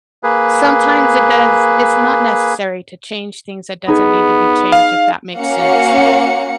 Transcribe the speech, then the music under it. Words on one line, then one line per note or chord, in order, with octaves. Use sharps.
sometimes it does it's not necessary to change things that doesn't need to be changed, if that makes sense.
A#3 G#4 B4
B3 D#4 G#4
F5
A#3 C#4 F#4 F5 F#5 C#7